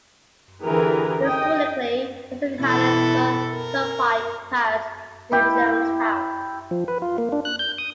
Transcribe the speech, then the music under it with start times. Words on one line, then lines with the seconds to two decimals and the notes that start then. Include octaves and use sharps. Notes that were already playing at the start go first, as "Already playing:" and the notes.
Historically, the Susquehanna and Tioga Turnpike passed through Jonestown.
0.63 D3 E3 G4 G#4 A#4 B4
1.23 D#5 G5
2.60 B2 E3 E4 A4
3.51 A#4
5.32 E4 G4
6.71 F3
6.88 B4
7.02 F4
7.18 A#3
7.32 D4
7.45 F#6
7.59 G6
7.78 D#6